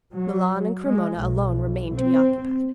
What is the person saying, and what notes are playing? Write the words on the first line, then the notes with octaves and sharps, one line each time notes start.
Milan and Cremona alone remained to be occupied.
F#3
G#3
B1
C4